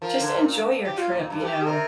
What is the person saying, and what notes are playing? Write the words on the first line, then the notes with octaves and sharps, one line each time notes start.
just enjoy your trip, you know?
F3 A#4
D3
A#2
G2
G4
F4
A#2
G2
A#4
G4
C3 A#4